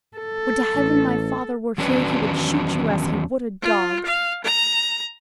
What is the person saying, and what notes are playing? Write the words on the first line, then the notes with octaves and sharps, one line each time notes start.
Would to heaven my father were here, he would shoot you as he would a dog!
A4
A1
E2 D#3 F#3 C#4 D4 B4
F4
F5
A#5